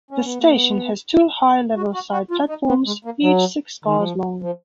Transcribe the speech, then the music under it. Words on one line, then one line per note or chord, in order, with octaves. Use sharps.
This station has two high-level side platforms each six cars long.
C#4
B3
A#3
B3
F#4
F#4
F#4
F4
D#4
B3
G#3
A#3
F#3
D#3
F3
F3